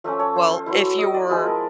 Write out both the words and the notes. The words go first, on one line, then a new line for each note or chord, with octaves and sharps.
Well, if you're
F3 A3 C#4 E5
C#5
C5
C5
F#3 B3 E4 C5
D#5
D5
F3 G#3 B3 E4 G#4
A#4